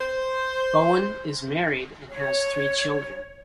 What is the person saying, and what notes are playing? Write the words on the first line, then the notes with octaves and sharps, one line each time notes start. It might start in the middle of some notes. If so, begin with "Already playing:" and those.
Bowen is married and has three children.
C5
C#5